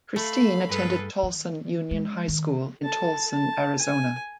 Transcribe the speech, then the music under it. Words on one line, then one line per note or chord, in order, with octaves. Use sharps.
Christine attended Tolleson Union High School in Tolleson, Arizona.
A3 F5 B5
G2 G#4 A4 B4
D#3
G#3
D#3
A4 A5
A5
G#5